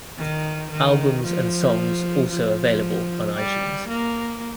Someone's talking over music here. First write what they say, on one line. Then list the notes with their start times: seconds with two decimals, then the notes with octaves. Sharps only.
Albums and songs also available on iTunes.
0.17 D#3
0.70 D#3
1.23 F3
2.29 F3
3.35 G3
3.88 A#3